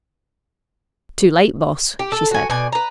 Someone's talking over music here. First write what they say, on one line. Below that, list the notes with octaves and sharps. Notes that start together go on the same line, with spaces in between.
"Too late, Boss," she said.
G4
A4
F#4 G#5
B2 D5 G#5
B4 A#5